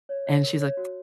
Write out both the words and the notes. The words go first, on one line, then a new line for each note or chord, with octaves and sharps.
and she's like
C#5
C#5
A#4
C#5
F#4